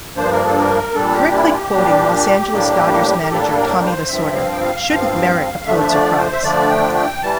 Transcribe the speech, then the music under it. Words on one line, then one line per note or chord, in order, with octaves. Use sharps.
Correctly quoting Los Angeles Dodgers manager Tommy Lasorda shouldn't merit a Pulitzer Prize.
G2 F3 A#3 D4 C5
A#4
A4
A#4
A#2 G3 D4 A4
G4
E4
F4
G4
A#2 G3 D4
A2 G3 A#3 D4
A#4
A2 G3 A#3 D4 A4
A#4
C5
G2 F3 C4 E5
F5
G5
F5
G2 F3 C4
D3 F3 A3 D4 E5
E5
D5
C5
E5
D3 F3 A3 D4 D5
G5
G5
E3 G3 A5